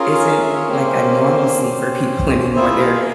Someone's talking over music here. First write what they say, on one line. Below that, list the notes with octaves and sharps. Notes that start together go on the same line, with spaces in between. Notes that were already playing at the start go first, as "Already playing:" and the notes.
isn't like a normalcy for people anymore. They're
Already playing: C#4 F4 G#4 A#4
F5
E5
C#5
A#3 C4 C#4 G4 C5
C#4 G4
A#3 E4 F4 G#4 E5
F4 F5